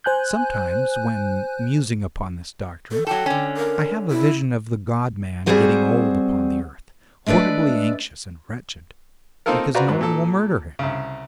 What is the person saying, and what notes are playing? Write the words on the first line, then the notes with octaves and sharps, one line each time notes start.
Sometimes, when musing upon this doctrine, I have a vision of the God-man getting old upon the earth, horribly anxious and wretched, because no one will murder him.
C5 G#5 F#6 G6
A4
F#3 A4 G5
D3 C#4
A#4
E4
G3 C4 F#4 G#4 C5 F#5
G#3 A3 D4 B4 D5
A#3 C4 D#4 F4 A4 A#4
F4 F#4 B4 C5 D5 A#5
G#2 F#3
A#2 A4
C2 C#3